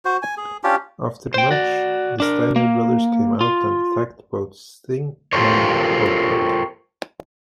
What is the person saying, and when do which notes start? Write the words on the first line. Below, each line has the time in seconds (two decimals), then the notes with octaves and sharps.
After the match, the Steiner Brothers came out and attacked both Sting and Goldberg.
0.05 F#4 C5
0.22 G#5
0.37 G#4
0.64 C#4 D4 F4 G4
1.34 C5 G5
1.51 F#4 D5
2.20 D4 A#4
2.56 A#3
3.41 F4
5.33 F4 G4 A4 A#4 C5 C#5